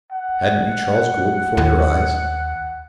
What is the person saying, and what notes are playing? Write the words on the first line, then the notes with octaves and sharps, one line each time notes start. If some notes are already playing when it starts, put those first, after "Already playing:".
Hadn't you Charles Gould before your eyes?
F#5
D#2